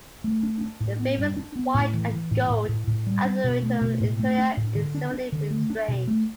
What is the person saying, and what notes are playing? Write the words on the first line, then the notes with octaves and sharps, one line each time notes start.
The famous white and gold auditorium interior is similarly restrained.
A3
D4
D4
A2
B3
G2
D4
B3
A2
E3
E3
A2
A2
A2
A2
G3
D4
B2
A3
B2
A2
A3
D4
A2
D3
D4
D4
D3
A3
D4
B2
A3